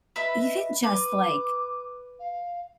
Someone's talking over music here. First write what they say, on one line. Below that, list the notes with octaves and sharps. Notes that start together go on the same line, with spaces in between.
even just like,
B4 D#5 E5 B5
B4 D6
F5